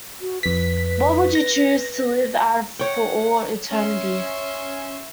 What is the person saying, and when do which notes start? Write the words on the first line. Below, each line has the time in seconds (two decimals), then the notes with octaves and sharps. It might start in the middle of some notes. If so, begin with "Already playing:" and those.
What would you choose to live out for all eternity?
0.21 F#4
0.43 F2 B4 B6
1.35 A#6
2.79 C#5 F#5 G5
3.71 C#4 E5 C6